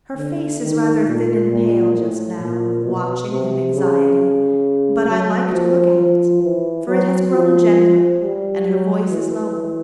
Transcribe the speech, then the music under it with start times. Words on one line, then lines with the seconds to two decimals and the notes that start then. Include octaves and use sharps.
Her face is rather thin and pale just now, with watching and anxiety, but I like to look at it, for it has grown gentler, and her voice is lower.
0.17 D3
0.61 D#3
1.07 A#2
1.51 A#2
1.95 A2
2.40 A#2
2.85 B2
3.30 C3
3.74 C#3
5.08 F#3
5.53 F3
5.98 F3
6.43 E3
6.87 F#3
7.32 F3
8.22 G3
8.67 F#3
9.10 E3